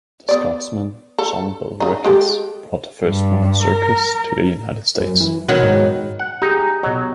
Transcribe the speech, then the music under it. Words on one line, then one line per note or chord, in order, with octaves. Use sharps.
The Scotsman John Bill Ricketts brought the first modern circus to the United States.
B3 D5
A4
C#3 D#4
G#3 G4 A4
G2
A#4
F#2
E3
B2 D#3 F#3 B3
G#2
F#5
D#4 G4 G#4
B2 F#3 D#5